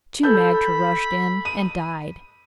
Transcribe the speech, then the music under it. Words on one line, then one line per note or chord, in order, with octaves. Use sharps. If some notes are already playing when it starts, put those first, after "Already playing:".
Two magter rushed in, and died.
A4 B5 G6
D#7